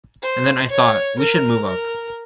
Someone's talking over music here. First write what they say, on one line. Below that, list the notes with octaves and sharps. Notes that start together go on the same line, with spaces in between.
And then I thought, 'We should move up.
C5
C#5
A#4
A#4